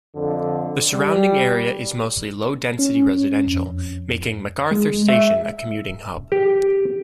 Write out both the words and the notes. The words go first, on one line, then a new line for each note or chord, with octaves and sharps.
The surrounding area is mostly low-density residential, making MacArthur station a commuting hub.
F2 D3
G3
C#4
F2
G#3
E5
G4